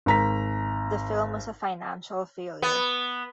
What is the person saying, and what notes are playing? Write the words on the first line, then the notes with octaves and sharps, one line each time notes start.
The film was a financial failure.
G#1 A#5 B6
B3